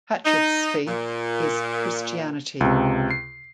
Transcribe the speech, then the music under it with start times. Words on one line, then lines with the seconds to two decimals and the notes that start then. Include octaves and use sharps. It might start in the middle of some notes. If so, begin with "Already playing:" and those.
Hatchett's faith is Christianity.
0.25 D#4
0.87 A#2
2.60 C#2 C3
3.11 C7